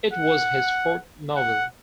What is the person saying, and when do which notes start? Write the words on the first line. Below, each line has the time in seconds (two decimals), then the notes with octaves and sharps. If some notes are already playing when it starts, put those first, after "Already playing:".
It was his fourth novel.
0.13 F#5
1.36 F#5